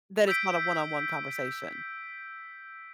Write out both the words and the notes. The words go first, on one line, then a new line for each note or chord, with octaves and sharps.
Then it's not a one-on-one conversation,
E6 G6 B6 D7